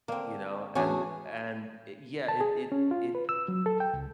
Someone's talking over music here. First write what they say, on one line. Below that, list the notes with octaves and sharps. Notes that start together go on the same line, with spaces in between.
you know, and and, it yeah, it it it
D3 A#3 C4
E2 B3 C#4 D4 F#4 G#4
A5
G#4
C#4
F4
B4
E6
F#3
A4
G5
C#2